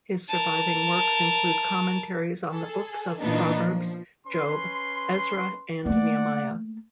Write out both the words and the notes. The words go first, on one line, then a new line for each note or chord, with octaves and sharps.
His surviving works include commentaries on the books of Proverbs, Job, Ezra, and Nehemiah.
A#4 A5
G#4 A4
A#2 E3 B3 D4 D#4
F3
C#4 B4 C6
A3 A#3 D5 F#5